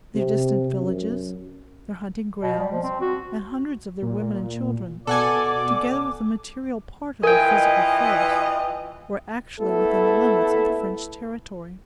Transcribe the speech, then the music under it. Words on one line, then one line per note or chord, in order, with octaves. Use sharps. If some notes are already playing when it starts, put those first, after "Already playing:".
Their distant villages, their hunting-grounds and hundreds of their women and children, together with a material part of their physical force, were actually within the limits of the French territory.
C3
F#2
B2
G3
F3
C4
F#4
A#2
B2 A4 D5 F#5 G#5 D6
E3 F4 A#4 B4 D#5 G5 G#5
A3 B3 E4 A4